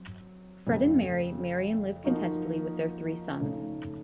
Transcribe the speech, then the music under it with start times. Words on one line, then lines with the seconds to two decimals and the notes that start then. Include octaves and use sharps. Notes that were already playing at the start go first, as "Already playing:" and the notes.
Fred and Mary marry and live contentedly with their three sons.
Already playing: F#3 C4
0.67 F2 C#3 A3
2.04 F3 A#3 D#4 F#4
3.41 C#3 A3 D#4